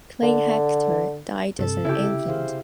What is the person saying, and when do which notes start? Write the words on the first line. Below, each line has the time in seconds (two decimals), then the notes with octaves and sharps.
Clay Hector died as an infant.
0.23 D3
1.59 G2 C3 A4
1.85 C#3 E4 G4
2.28 G#4 C5 F5